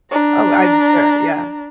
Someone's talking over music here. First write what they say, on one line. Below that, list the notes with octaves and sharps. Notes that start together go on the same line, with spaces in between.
Oh, I'm sure, yeah.
D4 A#5